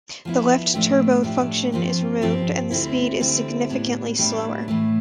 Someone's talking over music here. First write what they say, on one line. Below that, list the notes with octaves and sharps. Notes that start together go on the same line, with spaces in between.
The left-turbo function is removed, and the speed is significantly slower.
F3 B3 E4
A2 F3 A3 D4 G4
A2 F3 A3 D4 G4
G2 F3 C4 G4
G2 F3 C4 G4
D2 D3 G3 C4 E4
D2 D3 G3 C4 E4
A2 G3 B3 D4
A2 G3 B3 D4
A2 E3 A3